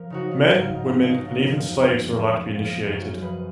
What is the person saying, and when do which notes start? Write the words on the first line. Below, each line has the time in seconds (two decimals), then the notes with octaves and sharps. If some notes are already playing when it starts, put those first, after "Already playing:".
Men, women and even slaves were allowed to be initiated.
Already playing: F3 A#4
0.10 C#3 D#4 F#4
0.31 D#3 D#4
0.46 F4
0.51 G#2
0.61 F4
0.70 G#2 D#4
0.90 C#2 F4
1.07 C#3 D#4 F#4
1.28 C#2 D#4 F#4
1.48 F3
1.67 F2
1.87 F2
2.06 F3
2.25 F3
2.44 F3
2.62 F3 F4 G#4
2.83 F#2
2.92 F#4 A#4
3.02 F3
3.21 F3 G#4 B4